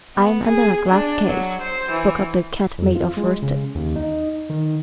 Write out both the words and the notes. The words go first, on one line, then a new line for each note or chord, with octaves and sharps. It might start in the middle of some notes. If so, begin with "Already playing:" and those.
"I am under a glass case," spoke up the Cat-made-of-worsted.
B3
G#4
D4
F#3
C5
E3
F2
F4
G#3
C#3
D#2
D#4
D#3